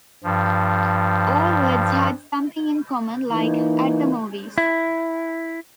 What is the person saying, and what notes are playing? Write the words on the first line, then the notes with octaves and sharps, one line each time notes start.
All words had something in common, like "At the Movies".
G2 F3
E3 A#3 D#4
E4